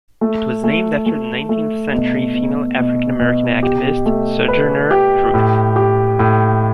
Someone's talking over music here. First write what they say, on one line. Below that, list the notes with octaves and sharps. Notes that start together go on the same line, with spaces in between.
It was named after the nineteenth century female African American activist, Sojourner Truth.
A3
A3
A3
A3
B2
B2
B2
B2
G4
A3
B4
G4
A2
G4
A2